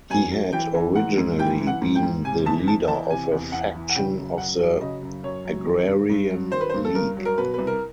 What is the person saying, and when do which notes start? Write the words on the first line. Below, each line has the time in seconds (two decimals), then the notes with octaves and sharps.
He had originally been the leader of a faction of the Agrarian League.
0.10 F#2 G#5
0.32 F#3
0.53 E3 G5
0.74 E3
0.95 G#2 F#5
1.18 G#2
1.39 E3 G5
1.60 E3
1.67 F#5
1.82 G#2
1.95 G5
2.03 G#2
2.25 C3 G#5
2.46 E2 A5
2.67 E2 A5
2.88 E3 A5
3.10 C3 G#5
3.31 E2
3.52 E2 F#5
3.75 E3
3.90 F#5
3.95 C#3 G5
4.17 F#2
4.38 F#2 F#5
4.59 F#3
4.80 C#3 D#5
5.03 F#2
5.23 F#2 C#5
5.45 F#3
5.66 D#3
5.88 G2
6.10 G2
6.30 F#3
6.52 D#3 C5
6.61 B4
6.70 C5
6.74 G2
6.85 A4
6.95 G2 A#4
7.17 F#3
7.25 A#4
7.38 B2 B4
7.54 C2 B4
7.67 A#4